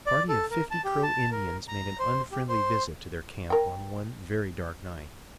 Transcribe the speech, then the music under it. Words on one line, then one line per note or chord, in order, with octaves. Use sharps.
A party of fifty Crow Indians made an unfriendly visit to their camp on one very dark night.
D5
A4
A#4
A5
G4
A5
A#4
A#5
C5
G4
C5
A#4 G5